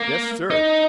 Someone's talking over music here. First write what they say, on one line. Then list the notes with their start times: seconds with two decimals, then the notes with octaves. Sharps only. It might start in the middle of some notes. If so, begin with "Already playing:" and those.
"Yes, sir!"
Already playing: A#3
0.50 D#4